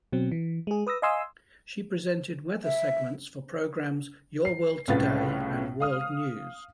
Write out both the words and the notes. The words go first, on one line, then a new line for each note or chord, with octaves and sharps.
She presented weather segments for the programs "Your World Today" and "World News".
B2 F#3 C4
E3
G#3 G#4
B4 D#6 E6 A#6
D#5 F5 G#5 C6 D#6 E6
E5
C7
C2 A2 C#3 F4 B4 A6
F5 D#6 F6